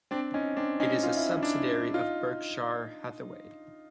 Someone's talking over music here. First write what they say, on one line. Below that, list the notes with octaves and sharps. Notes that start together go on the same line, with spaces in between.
It is a subsidiary of Berkshire Hathaway.
C4 D4
C#4 D#4
C4 D4
C#4 D#4
F4
E4
D#4
D4 E4
D#4 F4